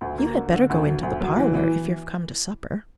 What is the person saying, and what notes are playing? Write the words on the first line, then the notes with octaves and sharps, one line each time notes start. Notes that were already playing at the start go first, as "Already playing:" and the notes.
"You had better go into the parlour, if you're come to supper."
D2
A#3
D3
D3
D2
F#3
D2
F#3
E3
E3